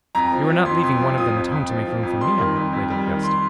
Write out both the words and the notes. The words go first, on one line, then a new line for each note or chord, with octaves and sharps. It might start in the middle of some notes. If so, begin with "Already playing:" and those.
"You are not leaving one of them at home to make room for me, I hope, Lady Augusta?"
F2 A#5
F3
F3
F2 C6
F2
F3
F3 D#6
F2
F2
F3
F3
F2
G3 C6
D#3
F2
F2
G3
D#3
C6